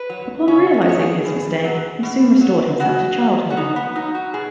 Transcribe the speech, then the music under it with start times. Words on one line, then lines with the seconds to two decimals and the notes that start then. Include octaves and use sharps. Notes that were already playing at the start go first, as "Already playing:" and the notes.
Upon realizing his mistake, he soon restored himself to childhood.
Already playing: B4
0.09 F#3
0.47 C#3 C#4
0.74 C#5
0.81 D#5
0.87 F#3 C#5
1.00 G#4
1.25 B2
1.64 F#3
2.03 B2
2.41 F#3
2.80 C#3 F#4
3.19 F#3
3.50 F#4
3.57 C#3 D#4
3.76 B3
3.96 F#3 D#4
4.15 F#4
4.34 B2 G#4